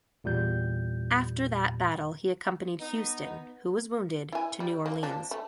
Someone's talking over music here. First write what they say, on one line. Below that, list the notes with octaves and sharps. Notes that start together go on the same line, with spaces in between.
After that battle he accompanied Houston, who was wounded, to New Orleans.
E2 A#2 G3 G6
B3 D#4
E4 G#5
G3
A#3
F3 A#3 D4
A3